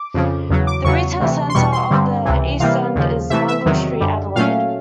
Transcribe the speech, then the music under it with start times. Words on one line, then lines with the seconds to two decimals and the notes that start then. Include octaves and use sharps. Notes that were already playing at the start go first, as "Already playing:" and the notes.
The retail centre of the East End is Rundle Street, Adelaide.
Already playing: D6
0.14 F2 C#3 F3
0.50 E2 C#3 F#3
0.67 D6
0.85 E2 C#3 F#3 C#6
1.20 D2 C3 E3
1.50 C6
1.55 E2 B2 G3 C#6
1.73 C6
1.90 G2 D3 G3 C4
2.25 C#2 C3 E3
2.60 C3 E3 G3 A#3 F5
2.95 D#2 C#3 F3
3.30 C3 E3 A3 E5
3.48 E5
3.65 E2 C3 D#3 F#3
4.00 F#2 D3 G3
4.36 A#2 F#3 A3 C#4 F5